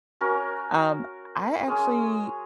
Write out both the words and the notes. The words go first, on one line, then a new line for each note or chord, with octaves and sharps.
um, I actually
C#4 F#4 A#4
G#3 C#4 G#4